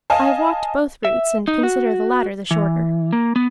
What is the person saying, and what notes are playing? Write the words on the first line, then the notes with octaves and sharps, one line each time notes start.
I have walked both routes and consider the latter the shorter.
D#5 F5 G#5 A5
E5
D#4
F#4
E3
A#3
B3